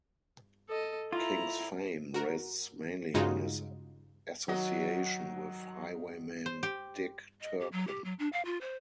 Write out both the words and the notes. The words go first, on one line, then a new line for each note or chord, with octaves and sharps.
King's fame rests mainly on his association with highwayman Dick Turpin.
A4 D#5
E4 F4 A#5
F#4 A#4
G2 C#3 G#3 D#4 F4 F#4
D#3 F#3 F#4 D#5
C5
G4
D#5
G4
F#3
G4
F#3
D4
F5
F4
C5